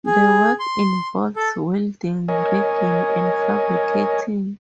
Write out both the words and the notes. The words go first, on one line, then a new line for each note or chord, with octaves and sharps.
The work involves welding, rigging and fabricating.
G#4
C6
A4
A#4 C#5 D#5 G#5